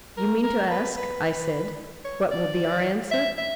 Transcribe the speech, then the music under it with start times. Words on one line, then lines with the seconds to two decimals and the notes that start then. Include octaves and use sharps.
You mean to ask, I said, what will be our answer?
0.17 A#4
0.43 A#4
0.71 B4
0.97 B4
2.05 C#5
2.31 D5
3.11 E5
3.38 E5